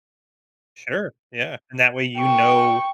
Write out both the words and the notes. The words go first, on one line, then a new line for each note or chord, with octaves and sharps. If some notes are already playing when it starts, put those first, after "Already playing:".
Sure, yeah. And that way you know
G5 C#6